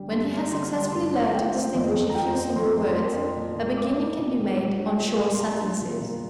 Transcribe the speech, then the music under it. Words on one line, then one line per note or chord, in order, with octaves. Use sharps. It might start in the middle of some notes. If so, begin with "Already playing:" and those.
When he has successfully learned to distinguish a few single words, a beginning can be made on short sentences.
Already playing: D3 G3
G2 C6
D4
D3 C6
G3
G2 C6
D4
F3 G5
C4
F2
F2
A#5
F3 G5
C4
F2 C6
F2
A#3 C6
D4
A#2
A#2
A#3 D6
D4
A#2
A#2
G3
D4
G5
A#2
F5
A#2
C6
G3 A#5
D4
A#2
A#2